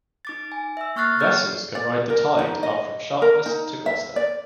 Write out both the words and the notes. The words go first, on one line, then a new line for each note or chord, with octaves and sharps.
Vessels can ride the tide up from Sharpness to Gloucester.
D#4 D6 A6
G#5
E5 E6
A#3 C#6 F6 F#6 A6 C7
G#4 C#5 D5 F6 G6 A6
D5
A#4
D#4
D#5
A#4
D#4
E5
D5